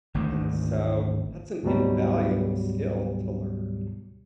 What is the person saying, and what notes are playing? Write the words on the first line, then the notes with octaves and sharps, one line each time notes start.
and so that's an invaluable skill to learn.
G#1 D2 G#2
D2 G#2 B2 F#3 G3